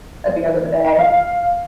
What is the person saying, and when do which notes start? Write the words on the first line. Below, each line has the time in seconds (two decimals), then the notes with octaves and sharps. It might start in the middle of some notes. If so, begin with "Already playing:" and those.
at the end of the day,
0.99 F5